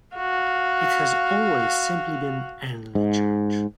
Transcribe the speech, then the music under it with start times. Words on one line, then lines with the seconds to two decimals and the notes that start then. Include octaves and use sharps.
It has always simply been "Earnley Church".
0.16 F#4 F5
2.95 G#2